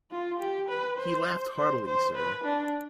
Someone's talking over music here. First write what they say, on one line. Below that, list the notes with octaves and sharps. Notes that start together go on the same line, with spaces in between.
He laughed heartily, sir.
F4
G4
B4
C5
C5
C5
B4
D4